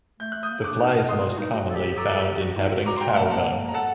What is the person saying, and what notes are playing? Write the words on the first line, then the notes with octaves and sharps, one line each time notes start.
The fly is most commonly found inhabiting cow dung.
A3 G6
A3 F#6
D#6 G6
A#3
D#4
D4 D6 F#6
D#4
D4
A#3 C6 D#6
D4
F#4
D#4
F#4
A4
G4
A4 A#5 D6
G4
F#4
D#4
F#4
F#4 A#5 D6
C6
G5 A#5
A3
F#5 A5
A#5
A#3 F#5 A5
A#3
A#5
A4 F#5 A5